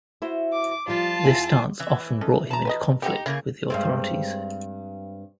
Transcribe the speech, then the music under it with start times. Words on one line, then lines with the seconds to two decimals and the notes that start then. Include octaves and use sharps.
This stance often brought him into conflict with the authorities.
0.22 E4 F#4 C5
0.53 D6
0.88 F3 G3 F4 A5
1.24 E2 G5 G#5
1.80 E3 E5
2.21 C#4 D#4 A4
2.50 A5 A#5
2.65 B4 C#5 D#5
3.02 D3 B3 D#4 G4
3.26 C#3 A#3 E4 G#4
3.70 G2 G#3 C4